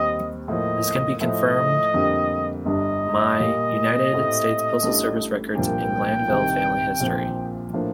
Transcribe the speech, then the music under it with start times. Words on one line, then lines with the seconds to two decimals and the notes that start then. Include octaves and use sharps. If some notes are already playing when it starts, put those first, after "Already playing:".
This can be confirmed my United States Postal Service records and Glanville family history.
Already playing: D#2 D#3 G3 C4 D#5
0.48 A2 F3 A#3 D#5
1.21 A2 F3 A3 D#5
1.94 F2 D3 G3 A#3 D4
2.66 G1 G2 D3 G3 D4 D#5
3.38 A#2 G3 A#3 F4
4.10 A2 A3 C4 G4
4.83 A1 A2 G3 D4 A4
5.55 C2 A#2 F3 A#3 D4 G5
6.28 C2 C3 D#3
7.00 A#1 A#2 F3 C4
7.74 A2 F3 A#3 D4